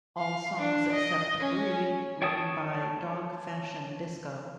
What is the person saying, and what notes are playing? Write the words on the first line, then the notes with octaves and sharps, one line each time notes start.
All songs except "Breed" written by Dog Fashion Disco.
F5
D4
D#5
C#4
C#5 G5 A5 D#6